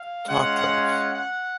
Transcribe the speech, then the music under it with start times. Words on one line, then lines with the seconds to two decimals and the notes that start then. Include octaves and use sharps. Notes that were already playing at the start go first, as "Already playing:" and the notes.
Talk to us.
Already playing: F5
0.28 G#3 C#4 F4 F#5
0.57 F#5
0.85 F#5
1.14 F#5